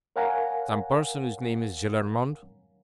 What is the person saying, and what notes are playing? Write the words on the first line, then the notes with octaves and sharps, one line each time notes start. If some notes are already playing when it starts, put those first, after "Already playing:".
"Some person whose name is Gillenormand?"
A#4 C#5 F5 F#5 G#5 A#5